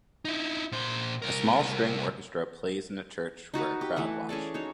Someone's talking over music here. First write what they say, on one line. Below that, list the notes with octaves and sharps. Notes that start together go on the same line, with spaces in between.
A small string orchestra plays in a church where a crowd watched.
D#4 E4
A#2 C5
C2 A#4
D#4 F#4 A#4 B4
G4
E3 A3 B4 F#5
C#4 G#4 A4 D5
D#4 F#4 C#5